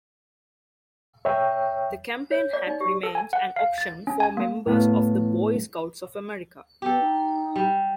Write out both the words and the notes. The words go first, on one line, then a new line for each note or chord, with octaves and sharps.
The campaign hat remains an option for members of the Boy Scouts of America.
C#5 E5 G5
C#5
D5
D#4
G4
A4
G#5
F#5
F5
A6
C#4
G#5
A#3
A2 B3 F5
B3 G4 A4
D#4
G3